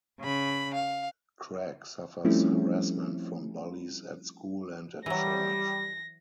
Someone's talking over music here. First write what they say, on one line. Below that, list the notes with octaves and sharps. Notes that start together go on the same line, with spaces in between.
Craig suffers harassment from bullies at school and at church.
C#3 B5
F5
F3 G3 A3 C4 C#4 E4
E3 F#3 G3 A#6